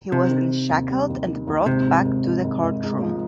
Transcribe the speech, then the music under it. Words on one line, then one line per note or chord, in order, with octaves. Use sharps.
He was then shackled and brought back to the courtroom.
C3 D#3
D#3
D#3
D#2
G3
D#2
D#3
D#2
G#1 C3
G#2
G#1
G#1
G#1
G#1
G#2
F3